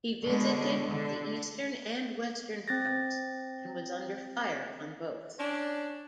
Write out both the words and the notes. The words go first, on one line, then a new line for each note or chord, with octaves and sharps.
He visited the Eastern and Western Fronts and was under fire on both.
B2 D3 G#3
D3
C4 A6 A#6
C#4 D4